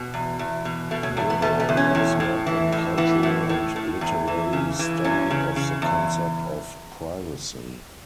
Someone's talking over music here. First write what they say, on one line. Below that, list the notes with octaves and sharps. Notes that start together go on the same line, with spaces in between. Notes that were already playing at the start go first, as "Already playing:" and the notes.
Goodall has worked on a cultural and literary study of the concept of privacy.
Already playing: B2
E2
E2
B2
B2 A3
F#3
E2 A3
B3
B2 A3
A3
E2
C#4
A2
A2
E3
A2
E3 B3
A2
A2
A2
E2
E3
C#3
E3
E2 C#4
C#3
C#3
E2